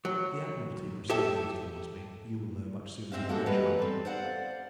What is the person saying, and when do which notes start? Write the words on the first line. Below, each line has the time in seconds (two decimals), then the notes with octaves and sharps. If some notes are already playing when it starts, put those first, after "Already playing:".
The Admiralty proceedings towards me, you will know much sooner than I shall.
0.05 F#3
1.10 G4 A4 E5
3.12 G#2 E3 C4 C5 E5 F5
3.29 G#3 A#3 C4 F#4 A4
3.46 E3 G3 G#3 A#3 F#4 B4
3.79 C4 A4
4.05 C5 D5 F5 F#5